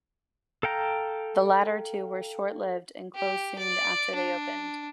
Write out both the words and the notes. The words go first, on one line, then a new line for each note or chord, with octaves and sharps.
The latter two were short-lived and closed soon after they opened.
A4 F5 G5 A#5
G4
D5
D4